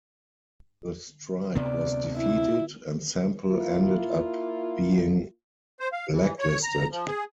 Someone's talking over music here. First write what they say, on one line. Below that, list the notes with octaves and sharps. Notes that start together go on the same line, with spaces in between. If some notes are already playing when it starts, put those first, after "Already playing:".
The strike was defeated and Semple ended up being blacklisted.
D2 C3 B3 D5
E4
A#3 E4 F4
C5
F5
E3
C#5
A#5
F3
G#4